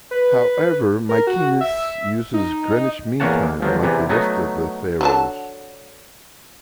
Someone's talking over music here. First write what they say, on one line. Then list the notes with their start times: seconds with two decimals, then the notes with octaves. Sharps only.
However, Mykines uses Greenwich Mean Time like the rest of the Faroes.
0.11 B4
1.09 A#4
1.27 F#4
1.61 E5
2.34 D#4
3.20 E2 A#3 C#5 F#5 A5
3.60 G1 F3 F#3
3.82 E2 C3 E3
4.09 F#3 A3 B3 D#4
5.01 D3 F#3 A5